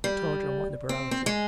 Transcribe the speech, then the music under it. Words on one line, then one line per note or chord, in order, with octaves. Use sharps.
What order and what liberality!
G3
C4
C4
G#3